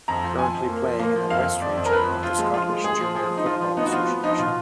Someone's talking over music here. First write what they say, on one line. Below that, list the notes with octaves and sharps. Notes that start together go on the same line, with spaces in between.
Currently playing in the West Region of the Scottish Junior Football Association.
F2 A#5
F3
F3 G#5
F2
A#3
F3
A#3
F3
F2 F5
F2
F2 D5
F2
A#4
F3 B4
F2
F3 F4
G#3
F3 F4
G#3
G#3 G#4
F3
F3 G#4
G#3
D#4
F3 F4
F3
B3 D#4
F#4
F3 F4
B3
F3 D#4
B2 F4